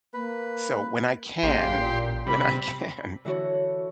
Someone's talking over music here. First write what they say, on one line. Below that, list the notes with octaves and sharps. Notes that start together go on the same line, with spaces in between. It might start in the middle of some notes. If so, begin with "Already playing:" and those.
So, when I can when I can,
A#3 B4
A1 C#3 A#3 G4 C6
A#2
C3 G3 B5
D3 E3 D4 F#4 C#5